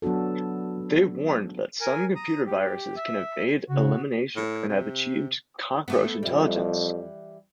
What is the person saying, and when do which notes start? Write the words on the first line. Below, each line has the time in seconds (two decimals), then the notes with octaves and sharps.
They warned that some computer viruses can evade elimination and have achieved cockroach intelligence.
0.02 F#3 B3 D4 F#4 A4
1.81 A#4 G#5
2.15 A#5 D#6
2.46 G4
2.96 E5
3.69 C#3 F#4
4.36 A2
4.68 C3
5.88 A3 B3
6.23 F2 E3 G3